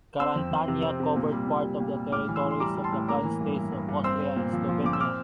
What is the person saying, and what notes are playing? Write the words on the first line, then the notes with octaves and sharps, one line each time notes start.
Carantania covered part of the territories of the current states of Austria and Slovenia.
C4 C6 E6
F2
F2
C3
C4
C3
A#2
G3
A#2
G3
A#2
G3
A2 D6 F6
E3
C6 E6
E3
C6
G3 A#5 D6
G3
A5 C6
A2
A#3 A#5 D6
E3
G2
E3
G2
G2
C4 C6 E6
C4
A#2
F3
F3
A#2 D6
E6
C4 D6 F6